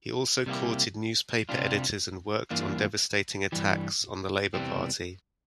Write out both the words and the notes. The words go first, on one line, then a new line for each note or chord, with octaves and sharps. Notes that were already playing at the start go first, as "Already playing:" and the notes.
He also courted newspaper editors and worked on devastating attacks on the Labour Party.
C3 G3 A#3 E4 G4
C2 C3 G3 D4 F4
G2 E3 A#3 D4 F4
G2 E3 G3
E2 C3 E3 G3 C4